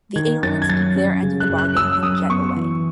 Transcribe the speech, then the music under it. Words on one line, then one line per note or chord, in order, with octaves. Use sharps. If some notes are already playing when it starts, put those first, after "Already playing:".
The aliens keep their end of the bargain and jet away.
D#3 G#6
F#2 A6
G#6
F#3 A6
C#4
C#3
F#6
F#2
F#6
F#3 E6
F#2 D#6
B3 C#6
E3